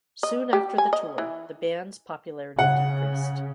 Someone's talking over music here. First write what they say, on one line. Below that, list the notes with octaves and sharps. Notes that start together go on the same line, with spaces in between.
Soon after the tour, the band's popularity decreased.
D#5
G4
G#5
D#5
E3
C#3 F#5